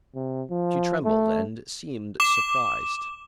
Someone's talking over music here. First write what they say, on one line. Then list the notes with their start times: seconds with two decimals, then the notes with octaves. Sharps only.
She trembled and seemed surprised.
0.15 C3
0.50 F3
1.05 A3
2.20 D6 E7